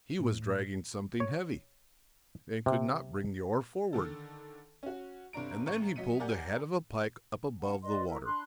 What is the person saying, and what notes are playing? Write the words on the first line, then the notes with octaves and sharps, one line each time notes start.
He was dragging something heavy, and could not bring the oar forward; and then he pulled the head of a pike up above the water.
A2
C#5
C3
D3 D#3 A4
C#4 F#4
G1 C3 D4 A#5 D7
A1 A#5 C#6 C#7
F#3 D#5 B6 C#7 D#7
G4 A#4 D5 F#5 G#5 G6
C#4 F#5
B4 D5 D#5 C6
E4 A#4
D4 B5 C6 F#6